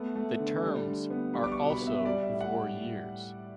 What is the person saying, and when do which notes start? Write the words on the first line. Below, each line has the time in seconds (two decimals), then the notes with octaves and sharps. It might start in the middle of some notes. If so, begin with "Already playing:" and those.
The terms are also four years.
Already playing: A3 B3
0.15 A3
0.39 D3
0.63 G3
0.87 D3
1.10 B3
1.34 G3 B5
1.44 D6
1.52 C#6
1.58 B2
1.70 B5
1.81 B3
1.87 E5
2.05 G3 D5
2.23 E5
2.29 A2
2.41 F#5